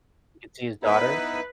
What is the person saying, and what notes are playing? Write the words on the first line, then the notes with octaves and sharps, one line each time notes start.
you can see his daughter.
B3 D#4 E4 B4